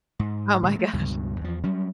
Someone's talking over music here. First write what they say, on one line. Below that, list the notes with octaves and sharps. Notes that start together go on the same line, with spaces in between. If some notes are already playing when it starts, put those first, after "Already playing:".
Oh my gosh,
G#2
A2 D3 D#3 G3
G#3 A3
C#2 G2 B2
E2 F3
F#3 G3 C#4